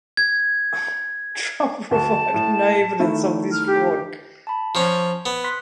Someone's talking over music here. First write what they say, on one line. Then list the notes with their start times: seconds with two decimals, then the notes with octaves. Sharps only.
Trump provided no evidence of this fraud.
0.17 G#6
1.91 D2 A5
2.34 A2
3.00 D#3 A3 E4
3.52 F6
3.67 G4
4.47 A5 B5
4.75 F3 C#4
5.26 B3
5.44 C6 F#6 B6